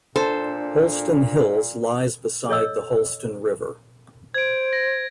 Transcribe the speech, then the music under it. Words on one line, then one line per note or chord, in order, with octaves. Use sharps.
Holston Hills lies beside the Holston River.
A#2 D4 A4 C5
A4 C#5 D#5 E6
C5 G#6 D7
A#6